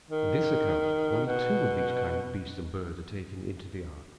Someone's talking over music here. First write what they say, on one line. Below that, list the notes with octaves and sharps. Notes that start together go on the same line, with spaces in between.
In this account only two of each kind of beast and bird are taken into the ark.
D#3
B2